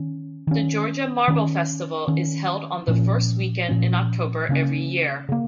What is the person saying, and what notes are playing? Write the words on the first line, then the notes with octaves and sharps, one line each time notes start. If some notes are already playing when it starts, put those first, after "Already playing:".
The Georgia Marble Festival is held on the first weekend in October every year.
Already playing: D#3 C#4
D#3 C#4
D#3 C#4
D#3 C#4
A#2 F3 C#4
A#2 F3 C#4
C#3 A#3 C#4
C#3 A#3